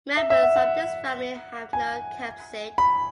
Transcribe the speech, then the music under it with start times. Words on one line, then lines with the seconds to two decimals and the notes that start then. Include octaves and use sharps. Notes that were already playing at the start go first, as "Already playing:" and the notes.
Members of this family have no capsid.
0.17 E5
0.30 E5
0.43 F#5
0.56 F#5
1.73 G#5
2.78 B5